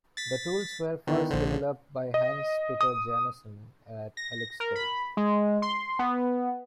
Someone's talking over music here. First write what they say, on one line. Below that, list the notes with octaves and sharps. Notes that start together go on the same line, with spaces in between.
The tools were first developed by Hans Petter Jansson at Helix Code.
A6 B6
D3 D#3 B3 E4
A#1 D3 C5
D#5
D#6
A#6
A#4
B5
G#3
C6
B3